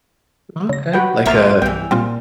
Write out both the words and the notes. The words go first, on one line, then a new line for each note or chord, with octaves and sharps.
Okay, like a
C#3 A#6
F#4 B4 G5
B1 F2 A#3 F4 E5 A6
B1 G2 E3 G5
A#2 G3 C4 F4